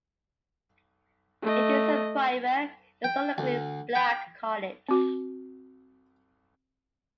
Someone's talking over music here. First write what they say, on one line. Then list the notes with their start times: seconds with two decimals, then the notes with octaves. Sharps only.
It is a private, historically black college.
1.43 A3 D#5
3.04 G5
3.38 D2
3.95 G5
4.89 C4 F#4